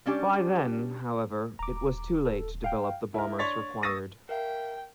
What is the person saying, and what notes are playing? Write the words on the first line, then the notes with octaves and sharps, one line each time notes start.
By then, however, it was too late to develop the bombers required.
G3 C#4 D4 G4
D#1 A#5 D6
A4
F5 G5
E4 A#4
D4 C#5 C6 A6 B6
C#6 D#6 E6 A6 A#6 D#7
A#4 E5 F5 G5